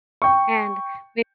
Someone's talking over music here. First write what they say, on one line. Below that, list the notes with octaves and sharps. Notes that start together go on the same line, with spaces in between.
and m
G5 C#6